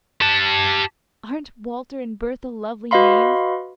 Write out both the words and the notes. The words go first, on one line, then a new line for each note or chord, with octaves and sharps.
Aren't Walter and Bertha lovely names?
G4 A5
F#4 B4 D#5 F5 B5 C6